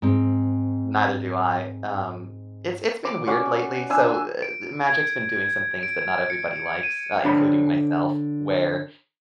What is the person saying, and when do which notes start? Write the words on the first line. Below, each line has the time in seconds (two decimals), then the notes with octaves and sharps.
neither do I. Um it's it's been weird lately. So, uh uh, Magic's been doing some things that not everybody likes, uh, including myself, where
0.02 G#2 C4
3.05 D6
3.27 C#4 F#4 D5
3.90 D4 G#5 E6
4.42 D7
4.87 G#6
5.83 D7
6.30 C#7
6.83 D#7
7.24 D3 D4 C5 C#5 B5